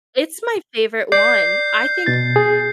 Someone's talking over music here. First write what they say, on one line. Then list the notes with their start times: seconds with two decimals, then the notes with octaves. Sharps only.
It's my favorite one, I think
1.12 D5 G6 C7
2.06 B2 A6
2.36 G#4